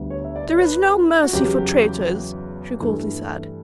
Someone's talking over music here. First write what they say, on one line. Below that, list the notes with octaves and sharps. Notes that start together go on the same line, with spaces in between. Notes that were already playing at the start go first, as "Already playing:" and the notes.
"There is no mercy for traitors!" she coldly said.
Already playing: D2 D3 G3 B3
C#5
E5
D5
C#5
B4
F#4
E2 C#3 F#3 G4
G2 E3 A3